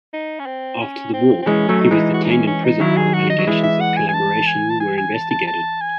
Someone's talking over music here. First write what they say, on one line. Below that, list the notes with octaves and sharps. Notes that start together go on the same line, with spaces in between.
After the war, he was detained in prison while allegations of collaboration were investigated.
D#4
C#4
C4
C#4
C4
C4
E3 G#3 C#4
F#3 A3
D#4
E3 G#3
F#4
D#4
C#4
C#4
D#4
D#3 F#3 E4
G#4
F#4
D#5
F#3
E3 G#3 E5
E5
F#5
G#5
G#5
A5
G#5
A5
G#5
G#5
A5
A5
A5
G#5